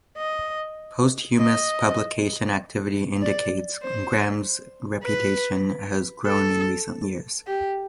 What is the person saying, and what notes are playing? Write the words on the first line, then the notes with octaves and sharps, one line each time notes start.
Posthumous publication activity indicates, Graham's reputation has grown in recent years.
D#5
D#5
D5
C5
B4
A4
G4